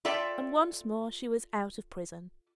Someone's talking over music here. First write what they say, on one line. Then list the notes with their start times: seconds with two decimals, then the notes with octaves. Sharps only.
And once more she was out of prison.
0.05 F4 A4 D5 E5 G5